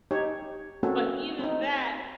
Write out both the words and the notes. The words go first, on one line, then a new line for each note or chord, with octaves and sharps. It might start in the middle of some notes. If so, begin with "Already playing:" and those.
But even that
D#4 G4 C#5
A3 A#3 C4 C#4 F#4 A4
C4 D#4